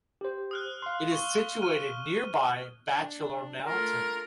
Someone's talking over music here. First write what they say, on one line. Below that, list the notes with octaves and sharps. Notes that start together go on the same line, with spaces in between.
It is situated nearby Bachelor Mountain.
G4 C5
D#6 F6 F#6
F5 C6
C#6 G7
F6 D#7
D4
A3 F4 A#4